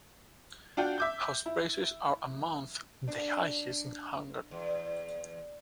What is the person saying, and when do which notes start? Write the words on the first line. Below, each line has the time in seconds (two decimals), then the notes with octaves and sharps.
House prices are amongst the highest in Hungary.
0.77 D4 F4 F#4 G5
0.98 E5 D6 G6
1.46 E4
3.08 D4
4.51 E2